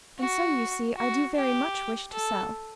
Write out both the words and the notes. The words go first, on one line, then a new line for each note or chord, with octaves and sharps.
"And so you see, I do very much wish to sell."
F#4
F#4
G4
A4